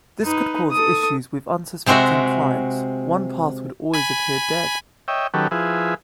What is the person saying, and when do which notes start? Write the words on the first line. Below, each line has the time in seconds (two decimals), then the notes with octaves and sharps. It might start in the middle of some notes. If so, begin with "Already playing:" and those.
This could cause issues with unsuspecting clients, one path would always appear dead.
0.24 D#4 B4
0.72 A4 D#6
1.86 C3 G#3 C4 F#4 E5
3.94 G#5 B5
5.08 C#5 D#5 E5 G5
5.34 D#3 F#3 C#4 G4 A4 B4
5.51 F3 E4 G#4 B4